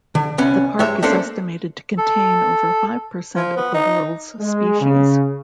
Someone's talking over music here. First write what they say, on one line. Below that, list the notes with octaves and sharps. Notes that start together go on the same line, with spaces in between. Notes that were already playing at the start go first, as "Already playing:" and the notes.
The park is estimated to contain over five percent of the world's species.
D3
C2 B3 C#4
G2 G#3 C#5 E5
A3 A#3 C#4 D4 A4 C5
A4
F3
B3
D#4
G#3
C#3